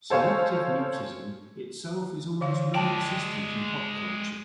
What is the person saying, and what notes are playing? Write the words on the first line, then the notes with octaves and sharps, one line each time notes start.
Selective mutism itself is almost nonexistent in pop culture.
A4 C5 C#5 F5 G#5
D3 E3 F5
G#3 D5 G5 A5